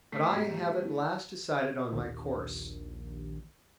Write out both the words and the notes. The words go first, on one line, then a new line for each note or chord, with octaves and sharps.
But I have at last decided on my course.
A3 B6 C7
G#2 B2 G3 G4
E3
A#1 D#2